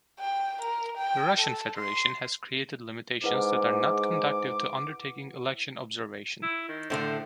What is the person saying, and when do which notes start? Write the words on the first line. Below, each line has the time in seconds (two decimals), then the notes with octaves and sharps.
"The Russian Federation has created limitations that are not conducive to undertaking election observation".
0.20 G5
0.62 A#4
0.98 G5
1.41 A4
1.78 C6
3.24 G#2 E4 B4 F#5 D6
6.43 E4
6.69 D#3
6.90 A2 D3 A3 C5